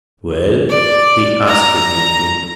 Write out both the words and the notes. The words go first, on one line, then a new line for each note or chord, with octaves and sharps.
"Well?" he asked his nephew.
D5
A#5